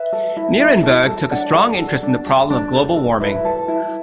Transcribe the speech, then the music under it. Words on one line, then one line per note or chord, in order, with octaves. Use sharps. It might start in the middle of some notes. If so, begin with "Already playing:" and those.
Nierenberg took a strong interest in the problem of global warming.
Already playing: B4 E5
A4
E4
E4
A4
A4
D4 D5 F#5
A4
A4
D4
A4
D4
A4
A4
E4 B4 E5
A4
E4